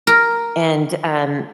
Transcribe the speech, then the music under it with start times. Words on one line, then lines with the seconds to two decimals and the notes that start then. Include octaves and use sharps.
and, um
0.07 A#4